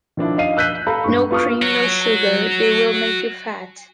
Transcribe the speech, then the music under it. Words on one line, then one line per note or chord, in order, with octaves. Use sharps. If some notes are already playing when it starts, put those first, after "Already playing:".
No cream, no sugar; they will make you fat.
D#3 F3 D4 E4
D#4 F5 C7 D#7
E6 F#6 G6 B6 D#7 F#7
A4 F5 A#5 B5
G2 C#6
B3 F4 C#6 D#6 F6
F#4 C#5